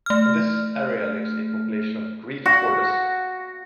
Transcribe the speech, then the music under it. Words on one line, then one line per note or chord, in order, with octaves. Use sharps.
In this area lives a population of Greek Tortoise.
A3 F6
F#4